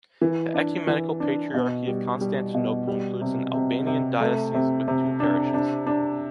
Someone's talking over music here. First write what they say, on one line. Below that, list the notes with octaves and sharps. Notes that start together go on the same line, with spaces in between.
The ecumenical patriarchy of Constantinople includes an Albanian dioceses with two parishes.
E3
D4
E3
D4
B2
G3
G3
B2
G3
C3
C3
C3
A3
C3
C3
D4
D4
D4